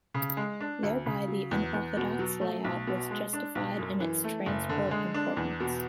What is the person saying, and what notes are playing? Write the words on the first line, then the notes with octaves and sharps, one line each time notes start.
Thereby the unorthodox layout was justified in its transport importance.
C#3
G#3
D4
D2
C#3
F#3
E2
E2
B2
F#3
A3
B1
B2
G#3
D4
B1
F#2
E3
A3
F#1
D3
G#3
D4
E2
B2